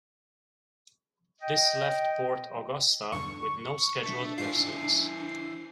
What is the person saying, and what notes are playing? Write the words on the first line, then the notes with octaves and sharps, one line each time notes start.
This left Port Augusta with no scheduled air service.
D#5 G5
E2 G2 D3 C#6
D4 A4 E5
G#2 E3 F4 C5 C7